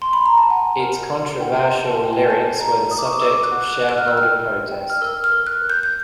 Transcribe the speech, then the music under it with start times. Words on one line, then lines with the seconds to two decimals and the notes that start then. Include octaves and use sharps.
Its controversial lyrics were the subject of shareholder protest.
0.02 C6
0.13 B5
0.26 A#5
0.38 A5
0.50 F#5 G#5
0.80 A#4
1.10 A#4
1.40 F#5 G5
1.70 D#5
1.86 A5
1.95 G#5
2.01 A#4 G5
2.13 G#5
2.30 D#5 A5
2.61 D#5 A#5
2.91 A#4 D#6
2.98 D6
3.05 C#6
3.13 D6
3.21 A#4 E6
3.43 F#6
3.51 F#5
3.66 F#6
3.81 D#5
3.89 F#6
3.98 F6
4.08 G5 E6
4.17 F6
4.42 A#4
4.71 G5
4.90 F6
5.02 A#4 E6
5.24 F6
5.32 A#4
5.47 F#6
5.62 A#4
5.70 G6
5.83 G6